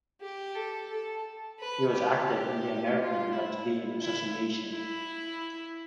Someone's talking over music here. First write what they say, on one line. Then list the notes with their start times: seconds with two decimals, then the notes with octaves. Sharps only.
He was active in the American Latvian Association.
0.21 G4
0.55 A4
0.90 A4
1.59 B4
1.94 G4
2.99 F4
3.32 E4
4.02 E4
4.72 E4